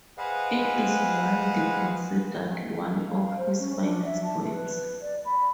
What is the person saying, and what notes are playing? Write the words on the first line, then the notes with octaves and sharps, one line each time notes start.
It is widely considered one of his finest works.
G#4 B4 C5 D#5 F5 F#5
F5
C5
C#4
D4
E5
A5
B4
D5
B5